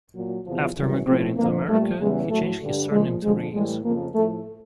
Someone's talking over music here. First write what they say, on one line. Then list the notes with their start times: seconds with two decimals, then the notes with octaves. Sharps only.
After emigrating to America he changed his surname to Rhees.
0.14 A#2 F#3
0.45 E2 C3 F3
0.75 F#2 C#3 E3 G3
1.06 A2 F3 C4
1.37 F2 D3 F3 A#3
1.68 A#2 G3 A3
1.98 E2 C#3 E3 G3 G#3
2.30 A2 F#3 A3
2.60 G2 D3 G3
2.91 A#2 F3 G#3
3.22 F2 D3 F3 G#3
3.53 A2 E3 G3 G#3
3.84 F2 C#3 F3 A#3
4.15 A2 F3 A3